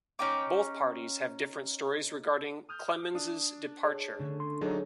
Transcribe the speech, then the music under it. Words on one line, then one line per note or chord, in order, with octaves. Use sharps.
Both parties have different stories regarding Clemens's departure.
C#4 D#4 G5 D6
D#6 F6 G6
D4 D#6
G#4 C#5
D3 A3 C#4
C6
F#3 D4 D#4 G#4 A4 C#5